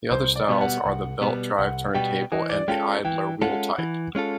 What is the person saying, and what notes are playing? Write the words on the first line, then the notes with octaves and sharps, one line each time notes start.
The other styles are the belt-drive turntable and the idler-wheel type.
C2 C5
D5
B2 G3 B3
F#5
C2
B2 G3 B3
C2 F#5
B2 G3 B3 G5
E3 D#5
D5
G#3 C#4 F4 A4 G5
E3 G5
G#3 C#4 F4 A4 F#5
E3
G#3 C#4 F4 A4